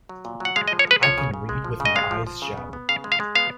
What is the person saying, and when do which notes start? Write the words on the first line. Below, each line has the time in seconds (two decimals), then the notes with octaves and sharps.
I Can Read With My Eyes Shut!
0.09 F#3
0.25 A#2
0.40 F#3 F#5
0.56 G#3 F5
0.68 D#5
0.71 F3
0.79 C#5
0.87 G#3 B4
1.03 F3 C#5
1.18 C#3
1.34 C#3
1.49 G#3
1.64 F3
1.80 C#3
1.85 D#5
1.96 G#3 F5
2.11 F3
2.27 F3
2.42 C#3
2.57 B3
2.73 B3
2.89 C#3 F5
3.04 G#3
3.12 F5
3.20 G#3
3.35 B3 F5